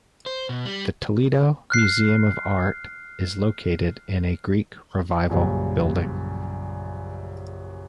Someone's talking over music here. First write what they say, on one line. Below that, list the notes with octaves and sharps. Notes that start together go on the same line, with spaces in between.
The Toledo Museum of Art is located in a Greek Revival building.
C5
B2
G3
F6 F#6 C7
A#1 F#2 C#3 G3